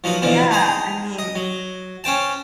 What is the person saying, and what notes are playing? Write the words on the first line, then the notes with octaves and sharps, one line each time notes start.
Yeah, I mean,
F3 F#3 D#4 B4
B2 D3 E3 F3 B3
D#4 G#4 C5 A#5
D#5
F#3
C#4 C5 G5 A5